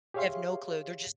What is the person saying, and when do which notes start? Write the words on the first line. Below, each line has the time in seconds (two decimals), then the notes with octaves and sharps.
They have no clue, they're just
0.14 G4 G#4 C#5 E5 F5 C6